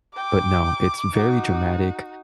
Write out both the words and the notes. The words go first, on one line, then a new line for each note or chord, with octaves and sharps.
But, no, it's very dramatic,
G5 D6
D#4 F#4